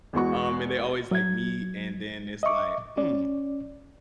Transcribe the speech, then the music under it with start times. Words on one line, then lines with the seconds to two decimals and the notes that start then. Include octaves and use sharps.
um, and they always, like, meet, and then it's like, "Mm,
0.13 E2 G#3 F#4 C#6
1.11 F#3 G#6
2.43 D#5 E5 C#6 D6
2.97 C#4 D5